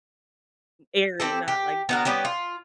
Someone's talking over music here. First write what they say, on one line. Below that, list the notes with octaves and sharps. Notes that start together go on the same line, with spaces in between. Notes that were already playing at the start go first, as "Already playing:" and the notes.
airy, not, like, dark.
C4 G4 A4
G4
B3 F#4 A#4
G3 B3 C#4 G4
F4